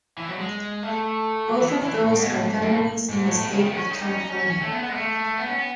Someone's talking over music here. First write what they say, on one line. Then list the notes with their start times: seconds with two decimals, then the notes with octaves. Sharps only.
Both of those are felonies in the state of California.
0.18 E3
0.28 F#3
0.39 G#3
0.83 A3
1.48 F#3
1.60 E3
1.71 D#3
1.82 E3
2.02 A2
2.12 G#2
2.24 B2
2.34 A2
2.45 G#2
2.54 F#2
2.61 G#2
2.69 A2
3.09 G#2
3.26 A2
3.42 B2
3.51 C#3
3.58 D#3
3.67 B3
3.75 C#4
3.90 D#4
4.07 C#4
4.18 D#4
4.29 C#4
4.39 C#4
4.50 C#4
4.61 A3
4.72 B3
4.83 B3
4.89 G#3
4.94 A3
5.38 B3
5.47 C#4
5.58 B3